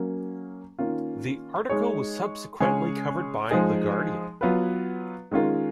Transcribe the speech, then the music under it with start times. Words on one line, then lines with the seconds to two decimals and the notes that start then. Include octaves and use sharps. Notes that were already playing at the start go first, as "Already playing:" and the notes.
The article was subsequently covered by "The Guardian".
Already playing: F#3 A#3 C#4
0.79 D#3 A#3 C#4 F4
1.70 G#3 D#4 G#4 C#5
2.60 C#3 G#3 C#4 G#4 C#5
3.51 F3 G#3 D#4 G#4
4.41 F#3 B3 F4 B4
5.31 D#3 G#3 C#4 F4 A#4